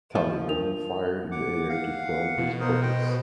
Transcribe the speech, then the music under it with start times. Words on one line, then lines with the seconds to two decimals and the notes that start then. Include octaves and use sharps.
Taliban fired in the air to quell these protests.
0.15 F3
0.48 D4 A#4 F7
1.32 F#5 D6
1.69 F5 F#5
2.38 B2
2.61 A#4 C5 D#6
2.82 C5 D#5 G5